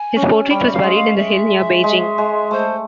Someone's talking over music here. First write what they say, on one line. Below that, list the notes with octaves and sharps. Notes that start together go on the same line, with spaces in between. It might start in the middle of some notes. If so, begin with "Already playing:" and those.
His portrait was buried in the hill near Beijing.
Already playing: G#5
C#4
G3 G5
E5
F5
G#3
F5
E5
G#3
G#3
A3 C5